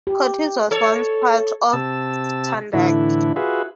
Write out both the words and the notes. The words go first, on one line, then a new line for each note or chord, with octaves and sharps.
Cortes was once part of Tandag.
G4
A4 C#5
C3 A5 E6
A2 D3 E3 E4
F4 F#4 G#4 B4 E5